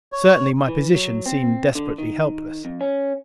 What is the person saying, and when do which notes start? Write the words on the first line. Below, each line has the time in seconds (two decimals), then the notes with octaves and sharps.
Certainly my position seemed desperately helpless.
0.12 C#5
0.68 E3
0.95 F#3
1.26 C4
1.75 D3
1.98 D#3
2.65 F2
2.81 C#4